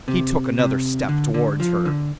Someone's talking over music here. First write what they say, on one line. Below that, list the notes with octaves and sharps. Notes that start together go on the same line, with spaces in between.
He took another step towards her.
C3
C3
D3
D3
F3
D3